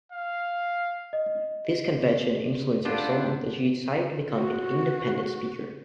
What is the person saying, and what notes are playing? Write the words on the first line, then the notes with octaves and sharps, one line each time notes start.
This convention influenced her so much that she decided to become an independent speaker.
F5
D#5
B3 C4 D4 F4
F#4